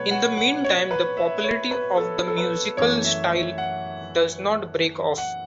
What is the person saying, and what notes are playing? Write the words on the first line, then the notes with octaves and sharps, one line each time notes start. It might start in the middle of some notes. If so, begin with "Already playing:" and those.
In the meantime, the popularity of the musical style does not break off.
Already playing: B2 F#3 A3 B4 C#5
F#5
F#5
C#5
B4
E5
C#5
B4
A4
A4
B4
F#2 E3 A3 C#5
E5
E5
F#5
F#5